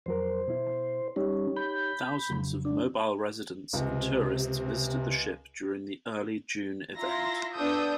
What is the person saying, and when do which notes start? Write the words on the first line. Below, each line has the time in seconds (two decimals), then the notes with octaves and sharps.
Thousands of Mobile residents and tourists visited the ship during the early June event.
0.06 F2 F#3 A#4 C5
0.48 B2 E4
1.16 G3 C#4 D#4 G4 C#5
1.57 B5 G6
2.30 F2 C#3 F#3
2.65 D4
3.73 C#2 C3
6.97 E4 F4 E5 A#5 C6 A#6
7.54 B3 D4 A4 D#6 E6 G6